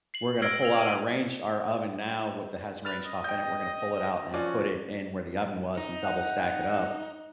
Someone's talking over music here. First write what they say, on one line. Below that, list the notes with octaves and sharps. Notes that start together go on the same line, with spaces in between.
we're gonna pull out our range our oven now with that has range top in it, we're gonna pull it out and put it in where the oven was and double stack it up
C7 F#7
E6 F6 G#6 A#6 C7 D7
E6 F7
D#7
B4 F6 A6 F7
D#5
G5 G6
F3 C#4 F#4 D5
D#4
F#5